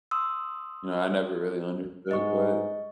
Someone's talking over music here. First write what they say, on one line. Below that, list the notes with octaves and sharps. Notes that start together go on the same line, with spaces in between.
You know, I never really understood, but
C6 D#6 E6
G#2 D#5 C#6